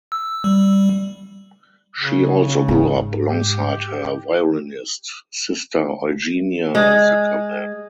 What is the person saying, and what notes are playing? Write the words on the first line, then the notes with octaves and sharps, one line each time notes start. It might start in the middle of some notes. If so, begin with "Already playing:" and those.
She also grew up alongside her violinist sister Eugenia Zukerman.
E6
G3
C#3
G#2
G4
G#3